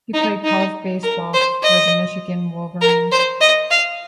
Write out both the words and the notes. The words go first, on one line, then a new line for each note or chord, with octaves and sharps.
He played college baseball for the Michigan Wolverines.
D#4
D#4
A#4
C5
D#5
A#4
C5
D#5
F5